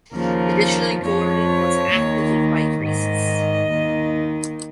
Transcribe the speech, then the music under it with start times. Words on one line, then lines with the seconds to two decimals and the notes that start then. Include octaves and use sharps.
Additionally Gordon was active in bike races.
0.13 D#2 C#3 F3 A#4
1.02 F2 F3 C#5
1.91 D#2 D#3
2.80 G#2 D#3 D#5
3.69 D#2 D#3